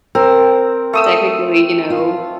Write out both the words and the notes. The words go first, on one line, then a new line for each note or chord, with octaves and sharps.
technically, you know,
C4 A#4
A3 D#6 E6
F4